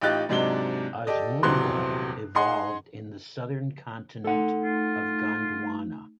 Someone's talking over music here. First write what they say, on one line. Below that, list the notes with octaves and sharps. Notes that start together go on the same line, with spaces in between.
"Osmunda" evolved in the southern continent of Gondwana.
A1 D#4 F4 G4 F#6 A6
G#2 C3 F#3 G#3 D4 G7
G4 A4 D5 D#5
D#1 E2 C3 F#3 C6 F#6
D#4 G#4 F#5 C6
A3 D#4 A4 F#5
F4